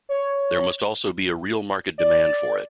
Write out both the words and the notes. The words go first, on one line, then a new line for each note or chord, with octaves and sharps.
There must also be a real market demand for it.
C#5
D5